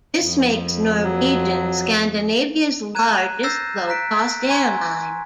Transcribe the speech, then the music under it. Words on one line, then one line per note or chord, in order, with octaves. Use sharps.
This makes Norwegian Scandinavia's largest low-cost airline.
F2
F#3
A#5 F#6 G#6 D#7 E7
E6 G6 A6 A#6 C7 E7
A#5 F#6 B6 D7
G#5 A#5 C6 C#6 G#6